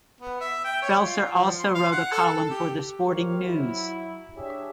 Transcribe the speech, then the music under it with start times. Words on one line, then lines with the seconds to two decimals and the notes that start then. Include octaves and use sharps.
Felser also wrote a column for "The Sporting News".
0.21 B3
0.41 E5
0.65 G5
0.82 C#5
1.03 F4
1.34 F3
1.59 C6
1.75 F5
1.92 F#5
2.12 A4
2.26 A4
2.50 G4
3.06 F4 G4 A#4 C5 C#5 F5
3.45 F#3 E4
4.36 D4 G4 G#4 C#5 E5